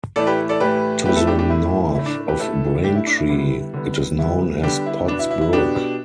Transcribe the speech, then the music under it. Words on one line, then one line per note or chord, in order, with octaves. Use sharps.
To the north of Braintree it is known as Pods Brook.
A2 E3 A3 A4 D5
G4 B4
A4 D5
A2 E3 A3 G4 B4
A2 E3 A3 G4 B4
E4 A4
D4 G4
D4 G4
A2 A3 E4
A2 A3 E4
D4
G4 B4
A2 A3 E4 A4
A2 A3 D4 G4
E4
D4
E4
D3 G3 B3 E4
D3 G3 B3
D3 G3 B3 E4
D3 G3 B3 D4 G4
E4
B2 B3 D4
E4
E4
E4
B2 B3 D4 G4